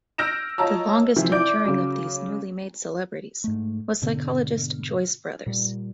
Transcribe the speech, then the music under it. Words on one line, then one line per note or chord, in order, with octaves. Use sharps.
The longest enduring of these newly made celebrities was psychologist Joyce Brothers.
E6 F6 G6 A#6 D7 E7
F4 C#5 D#5 A5 A#5 E6
C3 E3 F3 C4
E4 D5 D6 G6 D7
C#3 F#3
G#2 A3
G#2 B2 D3 B3
A#2 G3